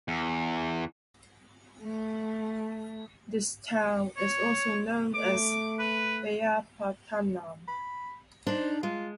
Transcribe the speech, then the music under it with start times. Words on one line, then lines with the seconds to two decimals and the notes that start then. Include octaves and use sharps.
This town is also known as Balyapattanam.
0.08 E2
1.83 A3
4.17 C#5
5.14 A3 D6
5.79 B4
7.68 B5
8.47 D4 D#4 C5
8.83 G#3 F4